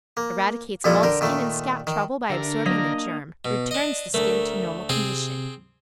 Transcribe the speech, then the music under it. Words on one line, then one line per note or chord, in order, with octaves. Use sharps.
Eradicates all skin and scalp trouble by absorbing the germ--returns the skin to normal condition.
A#3
F2 A#2 F3 G3 E4 A4
D3 A#4 G5
A#2 D#3 A3
D#3
D3 G4 A#4 E5
D4
F#3 A#3 D#5 B6
B2
D4 D#5
D2 A3 A#4
C3 C4 G#4 C6